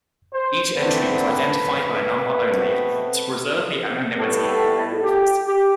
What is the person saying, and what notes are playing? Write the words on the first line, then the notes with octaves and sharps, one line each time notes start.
Each entry was identified by number only, to preserve the anonymity of their authors.
C5
D3 A3 C4 B4
B2 A3 C4
A2 G3 B3 A4
A4
G4
G4